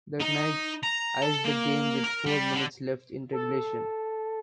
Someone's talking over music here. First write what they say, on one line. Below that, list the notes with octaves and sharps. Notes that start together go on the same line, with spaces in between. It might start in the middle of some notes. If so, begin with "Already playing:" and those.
The Knights iced the game with four minutes left in regulation.
D#4
A#5
A4
A#3
A#4
G3
D3
A4